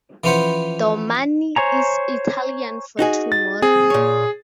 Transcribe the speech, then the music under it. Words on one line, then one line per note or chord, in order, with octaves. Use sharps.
"Domani" is Italian for "tomorrow".
E3 F3 C#4 B4 C5 F#5
C5 C#5 G#5 A#5
D#4 F#4 G#4
A6
C4 G#4
A#2 C#5